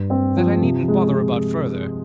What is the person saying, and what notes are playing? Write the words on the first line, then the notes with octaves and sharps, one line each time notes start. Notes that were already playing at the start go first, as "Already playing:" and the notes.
That I needn't bother about further....
Already playing: G2
C4
F3
C3
G#3